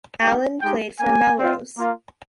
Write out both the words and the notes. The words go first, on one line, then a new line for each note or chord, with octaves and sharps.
Allan played for Melrose.
A#3 D#4 G4 G5
G#3 D#4 G4 G5
A#3 C#4 G4 G#5
C4 F4
A#3 F4